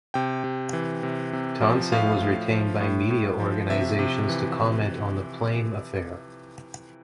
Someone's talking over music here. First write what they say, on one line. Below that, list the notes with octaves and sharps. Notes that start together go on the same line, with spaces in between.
Toensing was retained by media organizations to comment on the Plame Affair.
C3 G5
C3
E3
C3
C3
F3
A2 F5
A2
F3
A2
A2
F3
C3 E5
C3
E3